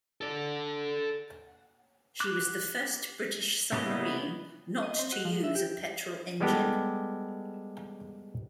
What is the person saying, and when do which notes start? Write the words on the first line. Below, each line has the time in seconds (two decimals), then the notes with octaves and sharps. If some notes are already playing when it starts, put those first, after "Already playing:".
She was the first British submarine not to use a petrol engine.
0.21 A4 D5
2.20 D6 F#6
3.72 C#3 A#3 B3 E4 D#5
4.83 D#5
4.99 C4
5.12 F#4
5.25 F3
5.44 E5
5.55 G4
6.40 G3 G#3 B3 G4 A4